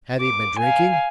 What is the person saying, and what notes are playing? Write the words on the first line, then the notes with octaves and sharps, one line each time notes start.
"Had he been drinking?"
D6
F5 G#5